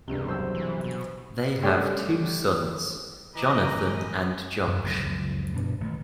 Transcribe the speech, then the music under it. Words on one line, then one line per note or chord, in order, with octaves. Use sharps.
They have two sons, Jonathan and Josh.
E1 C#2 G2 C3
F#3 C5 E6
E3
B2
G3 A3 C#4 D4 G4
E3 D#5 A#5 D6
F#2
E1 C#2 F#3
C#2 F#2 F3 G#3
G2 B2 D4
A1 D#3 A3